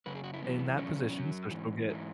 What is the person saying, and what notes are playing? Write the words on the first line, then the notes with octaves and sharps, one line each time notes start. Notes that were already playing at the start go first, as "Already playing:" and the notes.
in that position, so she'll get
F#2 C#3 B4
G#4
F#4
E4
F#2 E3 B3
E2 B2 F#3 C#4
F#2 F#3
G#2 E3
G#2 E3